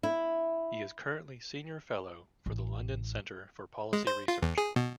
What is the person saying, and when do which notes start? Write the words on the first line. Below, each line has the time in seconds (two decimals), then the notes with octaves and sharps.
He is currently Senior Fellow for the London Center for Policy Research.
0.03 E4
2.46 A1
3.93 G#3
4.07 C5
4.28 F4
4.42 E2
4.58 G#4
4.76 B2